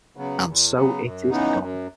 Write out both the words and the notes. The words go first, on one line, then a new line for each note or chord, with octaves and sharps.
And so it is done.
C#3 F#3 B3
E2
C#3 F#3 B3
F#2
C#3 E3 B3 D#4
F#2